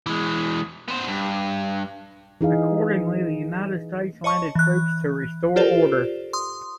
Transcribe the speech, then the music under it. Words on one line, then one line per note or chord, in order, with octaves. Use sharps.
Accordingly, the United States landed troops to restore order.
E3 G#3
B3 C5
G2
E3 D#4 G#4 F5
C#5 D#5 A5 C#6
E3 F#6
F4 G4 A4 A#4 C5 D5
C6 D#6